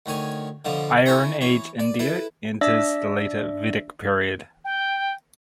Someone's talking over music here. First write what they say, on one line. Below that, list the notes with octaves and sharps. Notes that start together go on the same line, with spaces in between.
Iron Age India enters the later Vedic period.
D2 D#3 C#5 G#5
B2 D3 F3
E4 A4 C#5 G#5 A#5
E3 C#5
D5
E4 A4 B4
D4 D5 E5 E6 A#6
G5